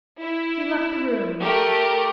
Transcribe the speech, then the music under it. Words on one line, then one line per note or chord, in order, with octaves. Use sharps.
He left the room.
E4
A3 G4 A#4